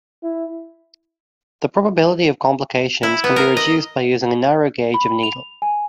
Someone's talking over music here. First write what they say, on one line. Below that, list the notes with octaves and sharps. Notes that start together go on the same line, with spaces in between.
The probability of complications can be reduced by using a narrow gauge of needle.
E4
E4
B3
A#4
D#5
B5
F7
G#5